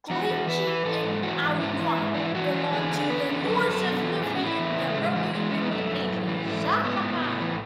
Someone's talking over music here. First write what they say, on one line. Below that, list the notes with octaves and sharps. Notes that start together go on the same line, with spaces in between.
Clichy en Aulnois belonged to the lords of Livry in the early Middle Ages.
E2 F#4
E2
E3 B4
E3
E3 A4
G#2
E3 F#4
G#2
G#2 E4
E3
G#2
E3 D4
E4
E3 F#4
E3
D3 G#4
D3
E2 B4
D3
F#2 A4
B4
F#2 A4
B2
E2
A2 G#4
F#4
A2
E4
E2
C#3
A3
A2 G#3
E3
E3 G#3
E3 C#4
B3
F#2 A3
F#2
A2
E3
G#2 A3
G#2
A2 B3
A2
A2
E3